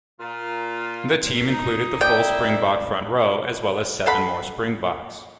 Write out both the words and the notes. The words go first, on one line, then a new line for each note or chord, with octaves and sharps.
The team included the full Springbok front row as well as seven more Springboks.
A#2 F4
D#4
C4 D#4 E4 D5 G5 D#6
A4 F5 F#5 B5